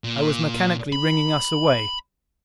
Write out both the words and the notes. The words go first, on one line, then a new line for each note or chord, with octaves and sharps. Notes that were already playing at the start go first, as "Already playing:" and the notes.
I was mechanically ringing us away.
A#2
B5